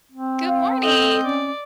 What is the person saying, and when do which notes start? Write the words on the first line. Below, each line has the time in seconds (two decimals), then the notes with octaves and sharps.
Good morning.
0.12 C4
0.48 F5
0.82 A4 D#5 G6
1.25 C#4 D5